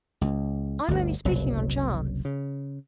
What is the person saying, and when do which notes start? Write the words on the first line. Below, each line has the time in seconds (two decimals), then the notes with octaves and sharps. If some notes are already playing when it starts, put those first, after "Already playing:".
I am only speaking on chance.
0.21 C#2
0.88 G1 D2
1.25 F#1 C2 B2 F#3
2.25 C#3